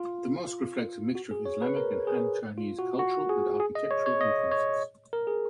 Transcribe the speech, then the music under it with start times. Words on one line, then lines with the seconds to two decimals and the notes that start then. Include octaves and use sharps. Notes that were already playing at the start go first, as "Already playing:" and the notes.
The mosque reflects a mixture of Islamic and Han Chinese cultural and architectural influences.
Already playing: F4
1.15 F#4
1.31 G#4
1.46 C#5
1.62 B4
1.77 A#4
2.07 G#4
2.58 F4
2.79 F#4
2.99 F#4
3.29 G#4
3.60 G#4
3.75 D#5
3.91 C#5
4.06 C#5
4.21 D#5
4.52 C#5
5.13 A#4
5.27 G#4